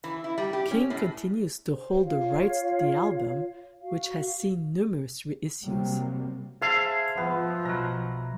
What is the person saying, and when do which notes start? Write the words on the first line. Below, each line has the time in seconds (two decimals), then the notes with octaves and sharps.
King continues to hold the rights to the album which has seen numerous reissues.
0.04 E3
0.24 E4
0.38 G3
0.53 G4
0.71 C#4
0.90 A2
1.70 C5
2.03 F4 C#5 F5
3.82 F#4 F5
5.64 C3 F#3 G3 A#3
6.62 G#4 C5 E5 F5 A5
7.18 F3 B3
7.65 B1 F#3 A#5 B5